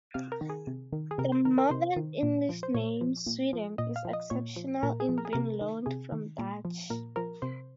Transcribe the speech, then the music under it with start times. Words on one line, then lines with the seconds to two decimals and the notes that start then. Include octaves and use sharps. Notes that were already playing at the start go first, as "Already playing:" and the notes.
The modern English name "Sweden" is exceptional in being loaned from Dutch.
0.14 C3 F5
0.32 A#4
0.41 D#3
0.50 G#4
0.67 C3
0.92 D#3
1.11 G#4
1.18 C3 A#4
1.32 C5
1.45 D#3 A#4
1.58 A#4
1.71 C3 C5
1.97 D#3
2.23 A#2
2.49 F3
2.63 C5
2.74 A#2 C#5
3.01 F3
3.27 A#2
3.53 F3
3.78 A#2 D#5
3.96 F5
4.05 F3
4.13 D#5
4.30 A#2 C#5
4.56 F3
4.83 A#2 A#4
5.00 G#4
5.09 F3
5.18 A#4
5.25 G#4
5.33 C3 A#4
5.61 D#3
5.86 C3 G#4
6.12 D#3
6.39 A#2
6.65 F3
6.90 A#2 A#4
7.16 F3 A#4
7.42 C3 C5